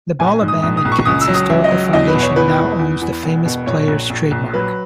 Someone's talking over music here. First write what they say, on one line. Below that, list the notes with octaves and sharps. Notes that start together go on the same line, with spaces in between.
The Balaban and Katz Historical Foundation now owns the Famous Players trademark.
A#1 G#5
G#2
D#6
A#1 D#6
D#6
A#1
C#6
C#2 D#6
E6
F#3
D#6
C#2 E5
D#5
F#3
E2 D#5
B4
B2
C#5
E2 B4
E2
E2
E2
E1
B2
A#1 C#5
A#1
A#1
A#1
F#3 B4